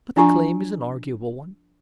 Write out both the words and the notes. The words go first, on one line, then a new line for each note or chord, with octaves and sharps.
But the claim is an arguable one.
F3 D4 F4 G#5 A#5 C#6